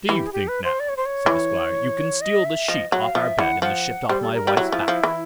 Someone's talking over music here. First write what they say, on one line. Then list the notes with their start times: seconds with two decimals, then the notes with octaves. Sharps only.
'Do you think, now', said the Squire, 'you can steal the sheet off our bed, and the shift off my wife's back.
0.09 E3 G4
0.26 G#4
0.33 G4
0.48 B4
0.64 C5
0.80 D5
0.89 C#5
0.97 C5
1.06 C#5
1.26 E3
2.21 D#5
2.45 E5
2.68 F3 D#5
2.92 F#3
2.99 F5
3.15 F3 E5
3.39 E3 F#5
3.62 F3 F#5
4.09 G3 C5
4.21 A4
4.33 A#4
4.47 G3
4.57 F#3 E4
4.72 F3
4.88 F3
5.03 E3